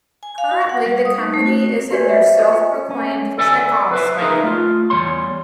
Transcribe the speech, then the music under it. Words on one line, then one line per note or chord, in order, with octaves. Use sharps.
Currently the company is in their self-proclaimed "Chekhov Cycle".
G#5
F5
F#4
F#5
G3
D#6
D#4
A3
F#4
F#4 G4 B4 C#5 D5 G#5
C5 E5
F5
F4 A4 D#5
G#5
C#4
A4 D5 E5 G#5
B4 C5 E5
D#4 G#4 A#4 B4 E5 F5
A3 F4
E2 D#3 G3 C#5 C6